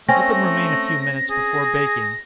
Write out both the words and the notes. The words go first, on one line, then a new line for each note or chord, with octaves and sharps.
Let them remain a few minutes before baking.
A3 C4 C#4 A#6
G#4